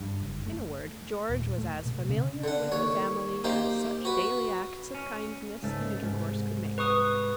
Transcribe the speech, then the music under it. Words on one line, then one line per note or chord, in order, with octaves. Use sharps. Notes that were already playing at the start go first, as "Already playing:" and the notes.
In a word, George was as familiar with the family as such daily acts of kindness and intercourse could make him.
G2
F#1
A3
D#1
A3
B2
C#3
D3 F#5
D#2 C#5
A#3 D#4 G4 C5
F#4 B4
C#4
C#2 G#2 A3
C2 G#2
B4 C#6 D#6